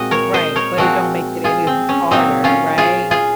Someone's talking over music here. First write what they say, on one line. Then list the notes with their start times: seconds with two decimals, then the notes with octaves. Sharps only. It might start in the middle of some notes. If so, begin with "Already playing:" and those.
Right, but it don't make it any ha harder. Right?
Already playing: A#2 G#3 C4 F#4 D#5
0.11 A#4 C#5
0.34 C5 D#5
0.56 A#4 C#5
0.77 A#2 F3 G#3 C4 F#4 A#4
1.44 F4 G#4
1.67 C4
1.89 C#4
2.11 A#2 F#3 A#3 C4 D#4
2.44 C#4 F4
2.78 F4 G#4
3.11 F4 G#4